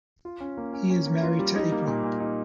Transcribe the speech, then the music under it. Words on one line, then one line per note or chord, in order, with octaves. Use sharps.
He is married to Apryl.
F4
C#4
A#3
C#4
C#4
A#3
F4
G3
D#4
A#3
A#2
A#2
D#4